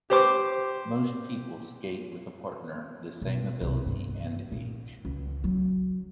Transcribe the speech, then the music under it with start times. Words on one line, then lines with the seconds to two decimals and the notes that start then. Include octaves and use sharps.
Most people skate with a partner the same ability and age.
0.10 G4 C5 D6
3.22 B2
3.61 C2
3.86 G2
4.52 A#2
5.05 C#2
5.44 F#3